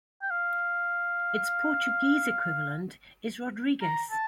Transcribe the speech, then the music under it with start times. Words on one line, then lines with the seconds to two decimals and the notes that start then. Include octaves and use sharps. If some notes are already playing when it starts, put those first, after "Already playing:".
Its Portuguese equivalent is Rodrigues.
0.22 G5
0.30 F5
3.82 A#5
4.11 A5